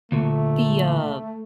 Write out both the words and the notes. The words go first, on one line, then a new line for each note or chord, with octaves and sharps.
the, uh,
D2 A#2 A3